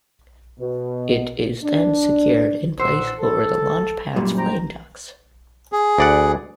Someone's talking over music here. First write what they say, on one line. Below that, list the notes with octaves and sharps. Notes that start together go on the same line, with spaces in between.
It is then secured in place over the launch pad's flame ducts.
B2
D4
A#2 C5 F#5 E6
A4
F#2 A#2 G3
C5 G5 A#5
G#4
D2 D5 F#5